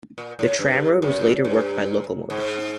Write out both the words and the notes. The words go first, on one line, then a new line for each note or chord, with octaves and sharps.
The tramroad was later worked by locomotives.
A#2
A2
G2
F#2
G2
G#2